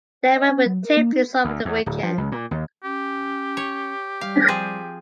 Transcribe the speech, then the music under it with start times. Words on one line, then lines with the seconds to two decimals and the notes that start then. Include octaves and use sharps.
The event will take place over the weekend.
0.23 G#5
0.36 D#5
0.50 C#4
0.66 F#3
0.85 A#4
0.97 A#3
1.13 D#4
1.45 D2
1.65 E2
1.86 D1
2.03 F3
2.18 C#2
2.32 A#2
2.51 D#2
2.84 C#4 G4
3.57 C#5
4.21 G3 F5
4.48 F3 C4 G#4